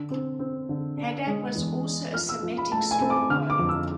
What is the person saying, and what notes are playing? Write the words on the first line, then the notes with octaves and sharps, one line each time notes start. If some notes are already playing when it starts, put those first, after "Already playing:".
Hadad was also a Semitic storm-god.
Already playing: D3
C4
C4
D3
D4
G#3
E2
D4
F3 F6
E6
F3
B5
A3 A5
G#5
C4
D6
D3 F6
D6
F2
E6